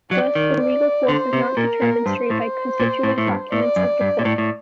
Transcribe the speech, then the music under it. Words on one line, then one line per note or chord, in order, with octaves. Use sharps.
Thus, the legal force is not determined straight by constituent documents of the Court.
F#3 D5
D#3
D5
D3 C5
C3
A#2 A#4
A#2
G2 C5
A2
A#2
A2
A2
G2
A2 D5
F#2
G2
A#2
A2
A2